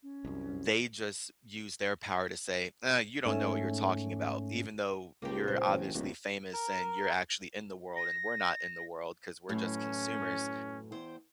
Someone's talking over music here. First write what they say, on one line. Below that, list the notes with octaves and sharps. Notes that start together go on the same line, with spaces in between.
they just use their power to say, "Ah, you don't know what you're talking about. Even though you're obviously famous and you're actually in the world and we're not in the world, 'cause we're just consumers,
C#4
C2 F#2
G#2 A3 C#4
C#2 A#3 G4
A#2 C5
A1
D1 D#2
A#4
A#6
F#2 A2 E3 C#4
E2 C5 G5